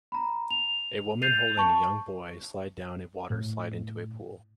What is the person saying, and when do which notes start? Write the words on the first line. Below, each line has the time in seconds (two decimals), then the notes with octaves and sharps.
A woman holding a young boy slide down a water slide into a pool.
0.12 A#5 B5
0.51 F7
1.22 G6 A6 C7 D#7 F7
1.57 A5 C#6
3.30 A2